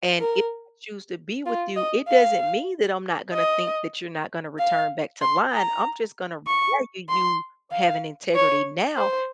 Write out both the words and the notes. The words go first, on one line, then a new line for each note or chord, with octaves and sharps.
and if I choose to be with you, it doesn't mean that I'm not gonna think that you're not gonna return back to lying, I'm just gonna value you for having integrity now,
A#4
F4
D#5
F5
D#5
F5
C6
A#5
C#6
C6
F5
C#5
C5